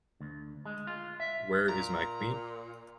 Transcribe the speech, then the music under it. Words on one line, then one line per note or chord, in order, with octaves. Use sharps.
Where is my queen?
D2
G#3
F4
E5
A#2 A#5